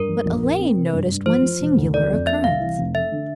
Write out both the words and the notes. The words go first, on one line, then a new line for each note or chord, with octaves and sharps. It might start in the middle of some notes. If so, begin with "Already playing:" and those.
But Elaine noticed one singular occurrence.
Already playing: G2 A#4
F3
A#1
A#1
C4
C3
G2
G2
F3 C5
F3
E1
D2
A3 D5
F2
A#3 E5
C2 F5
E3
F1
A3 E5
D3